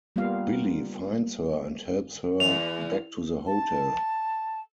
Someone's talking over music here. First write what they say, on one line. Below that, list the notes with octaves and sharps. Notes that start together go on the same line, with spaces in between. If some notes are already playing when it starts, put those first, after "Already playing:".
Billy finds her and helps her back to the hotel.
G3 A#3 B3 F4 F5
E2 F7
A5